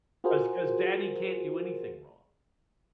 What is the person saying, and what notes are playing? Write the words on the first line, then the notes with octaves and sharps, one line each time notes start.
'cause 'cause daddy can't do anything wrong.
F4 F#4 G#4 A#4 C5